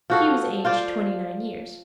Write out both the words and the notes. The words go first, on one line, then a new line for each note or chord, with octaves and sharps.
She was aged twenty-nine years.
F3 F#4 A4
F4 C5 D5